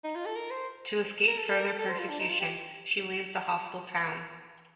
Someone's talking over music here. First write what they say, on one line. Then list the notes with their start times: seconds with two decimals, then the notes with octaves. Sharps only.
To escape further persecution, she leaves the hostile town.
0.04 D#4
0.15 F4
0.26 A4
0.36 A#4
0.51 C5
1.28 A#4
1.38 A4
1.48 A4
1.59 A#4
1.68 A4
1.79 A4
1.89 C5
1.99 F4
2.09 D4
2.20 D#4
2.29 F4
2.40 G4